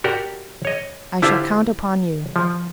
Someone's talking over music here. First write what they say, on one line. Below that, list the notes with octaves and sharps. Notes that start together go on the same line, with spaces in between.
I shall count upon you.
F#4 G4 A#4 D5 G5 A#5
C#5 D#5
D3 E4 F4 G4 C5 D5
F3